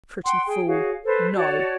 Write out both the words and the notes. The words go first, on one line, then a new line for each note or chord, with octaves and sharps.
Pretty fool--no!
F#5 G5 C6
G#4 G5
F#4 G#4 C#5 F5
A4 B4 C5
F#4 C#5 D5 A5